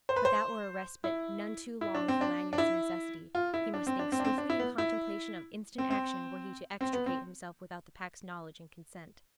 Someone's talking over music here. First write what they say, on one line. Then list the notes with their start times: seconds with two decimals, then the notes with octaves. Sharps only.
But that were a respite none too long for Lanyard's necessity; he must think swiftly in contemplation of instant action were he to extricate himself without the Pack's knowledge and consent.
0.09 C5
0.16 B4
0.25 C5
1.04 E4
1.81 E4
1.95 D4
2.08 C4
2.21 D4
2.53 D4
2.58 E4
3.35 F4
3.54 E4
3.74 D4
3.87 C4
3.99 D4
4.12 C4
4.20 D4
4.25 C4
4.38 D4
4.50 E4
4.59 B3
4.78 E4
5.78 C4
5.90 C4
6.81 C4
6.93 B3
7.06 C4